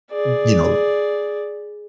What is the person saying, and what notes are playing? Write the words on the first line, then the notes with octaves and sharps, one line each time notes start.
n you know
G#4 D5